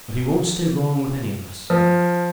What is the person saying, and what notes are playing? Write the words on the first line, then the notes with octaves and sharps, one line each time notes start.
But he won't stay long with any of us.
F3